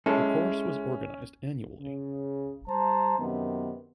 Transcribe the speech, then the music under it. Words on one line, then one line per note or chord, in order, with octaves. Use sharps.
The course was organized annually.
G#3 C#4 E4 A4
C#3
G3 C5 A5 A#5
F#2 C3 D#3 B3